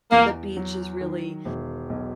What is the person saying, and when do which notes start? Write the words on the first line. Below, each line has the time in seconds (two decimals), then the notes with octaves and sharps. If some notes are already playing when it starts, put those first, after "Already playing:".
the beach is really,
0.11 E2 A#3
0.57 F#3
1.01 D#3
1.45 E1
1.90 B1